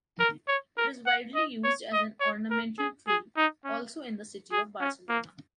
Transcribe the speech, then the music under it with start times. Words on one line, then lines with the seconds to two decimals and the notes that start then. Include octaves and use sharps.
It is widely used as an ornamental tree, also in the city of Barcelona.
0.20 A#4
0.48 C#5
0.77 A#4
1.06 F#5
1.35 D#5
1.64 C#5
1.93 D#5
2.21 C#5
2.51 A#4
2.78 G#4
3.08 G#4
3.37 D#4
3.65 C#4
4.52 G#4
4.80 C#4
5.09 A#3